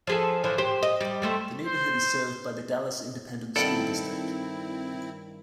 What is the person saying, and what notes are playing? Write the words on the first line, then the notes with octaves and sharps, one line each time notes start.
The neighborhood is served by the Dallas Independent School District.
F3 G#4 A4
D3 E3 F3
G4 C5
D#5
G3
G3 A3 C4
C5
G2 D#3 C4 E4 A4 D5 F#5